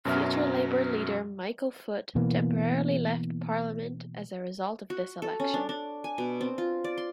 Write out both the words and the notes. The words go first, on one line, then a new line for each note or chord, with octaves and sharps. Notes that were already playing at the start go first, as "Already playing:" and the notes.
Future Labour leader Michael Foot temporarily left Parliament as a result of this election.
F#2 B2 F#3 C#4 E5 F6
B2 E3 A#3 B3
F#4
A4
C#4
D4
D4
G#5
B2
C4
F4
D5
C6